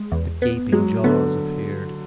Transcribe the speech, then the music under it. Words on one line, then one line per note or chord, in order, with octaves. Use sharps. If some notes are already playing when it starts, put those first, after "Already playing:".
The gaping jaws appeared.
Already playing: G#3
E2
B3
F#3 G#3
D3 B3